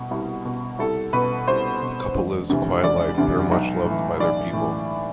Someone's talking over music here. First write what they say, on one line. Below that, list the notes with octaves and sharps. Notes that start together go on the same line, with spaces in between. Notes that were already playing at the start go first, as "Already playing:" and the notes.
The couple lives a "quiet life" but are much loved by their people.
Already playing: C2 B2
C2
B2
C2 A4
B2 B4
C2 C5
B2
E1
D2 C3 E3
E1 D5
D2 C3 E3
B1
A2 E3
B1 D5
A2 E3